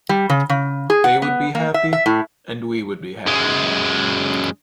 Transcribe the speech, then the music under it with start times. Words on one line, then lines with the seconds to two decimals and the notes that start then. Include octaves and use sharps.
They would be happy and we would be happy.
0.09 G3
0.30 C#3
0.50 C#3
0.90 G#4
1.04 F#5
1.22 B3
1.55 A#3
1.74 E5
1.93 E5
2.06 A2
3.27 F#2 G#3